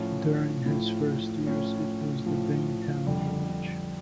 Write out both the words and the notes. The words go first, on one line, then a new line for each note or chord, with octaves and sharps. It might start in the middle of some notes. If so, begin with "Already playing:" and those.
During his first years, it was the Bein Town Village.
Already playing: A2 F3 C#4
A2 F3
A2 F3 C#4
A2 F3
F2 D3 G3